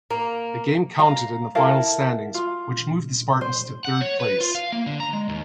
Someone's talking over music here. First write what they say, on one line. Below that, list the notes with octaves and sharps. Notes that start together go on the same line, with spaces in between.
The game counted in the final standings, which moved the Spartans to third place.
A#3
F5 A#5
E4 A4 A#4 F5
F4
C5
F#5
C#5
B4
F4
F5
A#3
D3
A#5
G#3
D#2